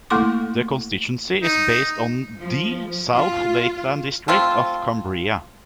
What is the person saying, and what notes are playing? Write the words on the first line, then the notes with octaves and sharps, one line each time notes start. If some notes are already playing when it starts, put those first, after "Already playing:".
The constituency is based on the South Lakeland district of Cumbria.
A3 A#3 E4 A4 C6 D6
D#4
F3
F4
A3 C4 F4